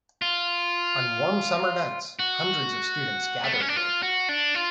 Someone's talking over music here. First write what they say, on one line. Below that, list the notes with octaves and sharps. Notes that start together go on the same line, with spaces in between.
On warm summer nights, hundreds of students gather here.
F4
F#4
A3
B3
C#4
D4
F4
F#4
D4
F4